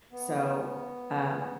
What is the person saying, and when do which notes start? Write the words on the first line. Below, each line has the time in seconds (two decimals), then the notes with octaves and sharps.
So, um,
0.12 B3